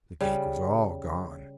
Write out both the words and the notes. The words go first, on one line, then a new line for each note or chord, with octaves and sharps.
The cake was all gone!
C#3 G3